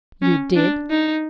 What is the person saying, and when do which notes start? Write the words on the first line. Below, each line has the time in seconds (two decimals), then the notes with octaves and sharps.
"You did!"
0.22 C#4
0.56 D4
0.90 D#4